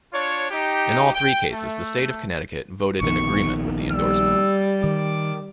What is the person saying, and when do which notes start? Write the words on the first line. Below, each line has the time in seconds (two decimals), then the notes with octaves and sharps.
In all three cases, the state of Connecticut voted in agreement with the endorsement.
0.13 D4 F4 C#5
0.50 D#4 G4
1.14 G5
1.51 A3
3.01 A#1 D#3 B3 C#6
3.91 G3 E6
4.84 D#3 D6